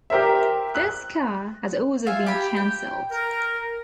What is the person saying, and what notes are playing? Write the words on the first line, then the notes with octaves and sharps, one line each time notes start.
This car has also been cancelled.
G4 A#4 C5 E5
F#6
F4 E5 G#5
G4 B5
G5
A#4